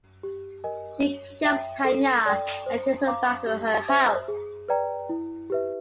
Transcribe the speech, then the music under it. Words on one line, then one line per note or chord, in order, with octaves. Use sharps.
She kidnaps Tanya and takes her back to her house.
G4
A#4 D#5 G#5
C#5
E5 G5
A4
D5 G5
C5
F5 A#5 D6
G4
C5 E5
G#4
B4 D5 G5 A#5
E4
G4 B4 E5